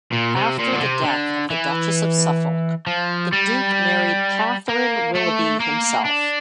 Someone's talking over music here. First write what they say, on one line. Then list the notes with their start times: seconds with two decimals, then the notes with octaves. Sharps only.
After the death of the Duchess of Suffolk, the Duke married Catherine Willoughby himself.
0.13 A#2
0.36 C3
0.59 A#2
0.73 D3
0.81 C3
1.04 D3
1.50 E3
2.87 F3
3.33 G3
4.69 A#3
5.15 A3
5.60 A#3
6.06 D4